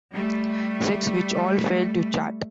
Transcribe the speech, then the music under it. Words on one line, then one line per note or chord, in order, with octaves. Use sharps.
Sex, which all failed to chart.
G3 A3